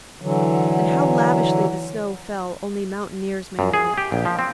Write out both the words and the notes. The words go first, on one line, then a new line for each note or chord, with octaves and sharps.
And how lavishly the snow fell only mountaineers may know.
D3 E3 F#3
F#2
G#4
G4
A#1
F3
C4